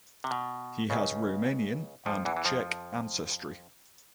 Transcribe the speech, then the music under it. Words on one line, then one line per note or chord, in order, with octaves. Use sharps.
He has Romanian and Czech ancestry.
C3
B2
C#2 C#3
F2 F3
E2 E3
E3
F2 F3